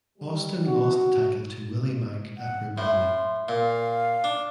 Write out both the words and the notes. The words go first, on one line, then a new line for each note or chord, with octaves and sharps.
Austin lost the title to Willie Mack at Rebellion.
G3
F#4
F#5
A2 C6
A#2 F5
D4